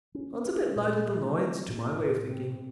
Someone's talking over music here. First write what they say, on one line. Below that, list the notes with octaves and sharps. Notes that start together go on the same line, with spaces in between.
"Runs a bit light at the loins, to my way of thinking'."
C#4
C#4
A#2
A3
C4
A2
A2
C4